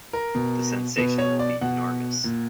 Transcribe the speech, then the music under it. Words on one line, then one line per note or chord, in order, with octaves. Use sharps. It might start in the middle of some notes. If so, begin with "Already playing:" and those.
The sensation will be enormous.
A#4
B2
B2 B4
C#5
D5
B2 F#5
A#2